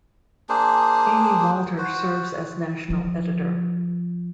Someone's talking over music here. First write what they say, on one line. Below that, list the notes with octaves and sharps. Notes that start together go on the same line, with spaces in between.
Amy Walter serves as national editor.
A#3 D4 G#4 C5
F#4 C5
F3